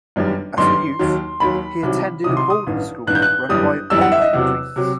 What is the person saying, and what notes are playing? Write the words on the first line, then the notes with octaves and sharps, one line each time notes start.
As a youth, he attended a boarding school run by Oblate priests.
G1 F#2 D#3 G3
G1 F#2 D#3 G3 C6
D#2 D#3 F#3
D#2 D#3 F#3 B5
C2 C3 D#3 F#3
C2 C3 D#3 F#3 D#6
C6
D#6
A1 G2 D#3
A1 G2 D#3 F#6
G6
F#6
G1 F#2 E3 G3 D#6
G1 F#2 E3 G3 E6
F#5
E5
D#5
E2 C3 F#3
C3 F#3